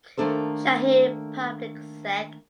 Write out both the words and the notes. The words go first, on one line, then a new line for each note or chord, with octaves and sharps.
Shaheen Public Sec.
D#3 A3 A#3 D4 A4 C5